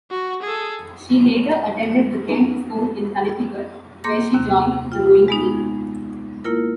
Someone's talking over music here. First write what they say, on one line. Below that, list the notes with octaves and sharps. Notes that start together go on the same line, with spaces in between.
She later attended the Kent School in Connecticut, where she joined the rowing team.
F#4
G#4 A4
B3 C#4 D#4 B4
A#3 C6 D6 G6 A#6
D#2 C3
F4 G5
G#3 B3 D#4
A#3 E4 F4 A#4